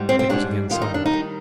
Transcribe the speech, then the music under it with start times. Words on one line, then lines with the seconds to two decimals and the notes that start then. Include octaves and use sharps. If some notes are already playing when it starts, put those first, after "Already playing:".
Dick was again silent.
Already playing: G#2 G3
0.09 C4
0.19 C4
0.29 G#2 G3 D4
0.70 G2 D#3 G3 F4
0.82 D#4
0.94 D4
1.06 D#4
1.11 D#3 G3